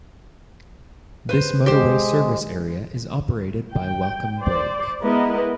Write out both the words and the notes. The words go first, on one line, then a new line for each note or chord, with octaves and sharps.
This motorway service area is operated by Welcome Break.
B4 C5
G#3 G4 C5
G5
C5 D5
G#3 B3 E4 A#4 B4 D#5